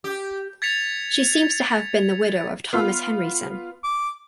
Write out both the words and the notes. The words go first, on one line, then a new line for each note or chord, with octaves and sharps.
She seems to have been the widow of Thomas Henryson.
G4
G#6 A6 B6 C#7 F7
B3 F4
D6